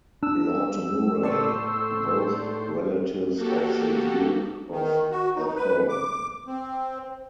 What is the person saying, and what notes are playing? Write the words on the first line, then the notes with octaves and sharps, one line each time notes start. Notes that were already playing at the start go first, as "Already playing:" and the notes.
Lord Murray, both relatives of the Duke of Atholl.
D4 E6
A2 A4 C5 D5 C#6
A#3 F#4 G4 A4
D#3
F#4
D#4
B4
D6
C4